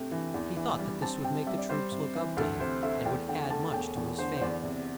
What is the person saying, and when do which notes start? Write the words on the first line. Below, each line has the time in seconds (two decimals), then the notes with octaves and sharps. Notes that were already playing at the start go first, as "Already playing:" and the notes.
He thought that this would make the troops look up to him, and would add much to his fame.
Already playing: C3 A3 G5
0.11 E3
0.34 E2
0.56 E3
0.79 G3
1.02 C4 A5
1.24 C3 G5
1.47 G3 E5
1.58 D5
1.69 G3 C5
1.92 C3
2.15 E3
2.37 D2 A4
2.60 C3 C5
2.83 A3 E5
3.05 E2 G5
3.28 D3 G5
3.51 A3 A5
3.73 E1 G5
3.96 E2
4.19 D3 C5
4.37 C5
4.41 E2 D5
4.63 C3